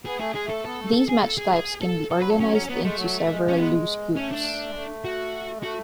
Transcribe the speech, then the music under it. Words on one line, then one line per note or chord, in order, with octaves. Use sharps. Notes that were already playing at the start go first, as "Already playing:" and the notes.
These match types can be organized into several loose groups.
B3 G#4
A3 G#4
G#3 G#4
A3 A4
B3 A4
A3
A4
G#4
A4
G#4
G#4
A4
F#3 A4
B4
A4
C#4
C#4
F#3 B3
G#3 A3
F#3
F#3
G#3
C#4
G#3 B3
A3 C#4
D4
G#3
A3
F#4
G#3
A3 F#4